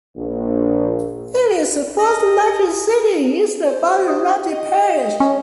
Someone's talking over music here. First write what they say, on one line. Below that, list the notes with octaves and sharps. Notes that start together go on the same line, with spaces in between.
It is the fourth-largest city in East Baton Rouge Parish.
A#1
D#5
C5
G4 E5 D#6
D#5
C#4